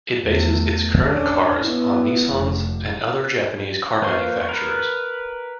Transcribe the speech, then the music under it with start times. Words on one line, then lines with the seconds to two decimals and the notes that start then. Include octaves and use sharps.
It bases its current cars on Nissans and other Japanese car manufacturers.
0.23 E2 A3
1.03 C#4 D4
1.63 B3 E4
2.33 F1
4.02 A#3 B4 C5 C6 C#6
4.49 A#4 B4